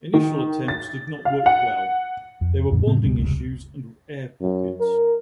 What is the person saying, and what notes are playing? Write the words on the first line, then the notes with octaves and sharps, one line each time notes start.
Initial attempts did not work well: there were bonding issues and air pockets.
D#3
A6
F5
F#5
F2
F2 A#2 D3
A2 C#3 B3 C4
C#2 G#2 B2 G3
F1 C#2
F#2
A#4